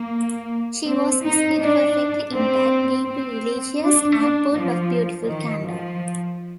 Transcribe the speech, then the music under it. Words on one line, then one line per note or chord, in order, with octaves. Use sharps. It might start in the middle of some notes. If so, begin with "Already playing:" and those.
She was still perfectly intact, deeply religious, and full of beautiful candour.
Already playing: A#3
C4
D#4
D4
C4
C4
D4
D4
F3
D#3
F3